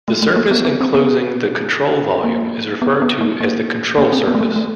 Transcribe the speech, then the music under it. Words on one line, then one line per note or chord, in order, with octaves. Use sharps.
The surface enclosing the control volume is referred to as the control surface.
A3
A3
A#3
B3
B3
C4
B3
A#3
B3
B3
A#3
A#3
A#3
C4
B3
A3
A#3
A3